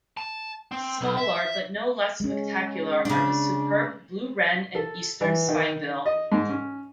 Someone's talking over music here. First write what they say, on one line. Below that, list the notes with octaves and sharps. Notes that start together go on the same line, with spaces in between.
Smaller but no less spectacular are the superb blue wren and eastern spinebill.
A5
C4
B1
E5
G#3 C#4
C#3 D4
A4
E3
D#3
D#5
G#2
C#4